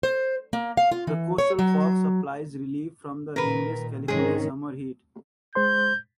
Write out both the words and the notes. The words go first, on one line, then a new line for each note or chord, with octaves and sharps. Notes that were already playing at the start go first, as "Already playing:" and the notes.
The coastal fog supplies relief from the rainless California summer heat.
C5
A#3
F5
F4
E3
C#5
F#3
A#2 D#3 A#4 B4
G#2 C3 D#3 G#3 C4 C#4 G#4
G#3 C5 C6 G6